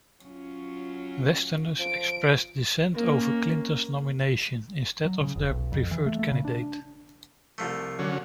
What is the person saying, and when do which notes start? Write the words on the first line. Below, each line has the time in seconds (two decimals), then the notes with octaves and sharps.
Westerners expressed dissent over Clinton's nomination instead of their preferred candidate.
0.22 F#3 C#4 F4
1.79 F3 D7
2.95 A#3 C#4
5.05 F#3
5.21 C#3
5.36 F1
5.50 B1
5.72 F2
5.91 E3
6.06 A3
6.19 A3
6.32 C#3
6.45 D4
7.58 C2 F3 A3
7.99 D3 F#3 C#4